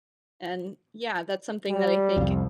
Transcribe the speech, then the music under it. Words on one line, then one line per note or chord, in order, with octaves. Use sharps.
and yeah, that's something that I think
G3
C2 F2